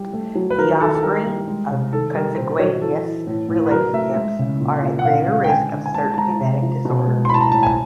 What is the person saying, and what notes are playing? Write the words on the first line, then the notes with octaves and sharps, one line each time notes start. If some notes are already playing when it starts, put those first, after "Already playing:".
The offspring of consanguineous relationships are at greater risk of certain genetic disorders.
Already playing: G3
A3
F#3
B4
D#3 A#4
D#3 A4
A4
G3 A#4
G3
G#3
C3
D#3 A4
G3 A#4
A#2 C5
F#3 C#5
E3 A4
E3
A2
A2
B4
F#3 A#4
A3 E5
G#3
C#3
A#2
A#2
F#5
C#3 F5
G#3 F5
G5
D3 G#5
D3
G#5
G#3 A5
A5
G#3 A#5
C3
F3
B2
G#3
C6
A2 A5 B5
A#5
A2 A5
G#5